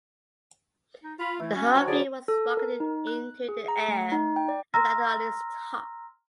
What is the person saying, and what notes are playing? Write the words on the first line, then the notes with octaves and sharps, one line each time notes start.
The Humvee was rocketed into in the air and landed on its top.
D#4
F4 B5
E3 A3 E4
C#4 F#4
F#3 C5 C#5
D3 G#4 D5
A4
A#4
D#4
F#6
G#4
A#5
A3
D#4
G5
D5
A#5 C6 E6 F6 A#6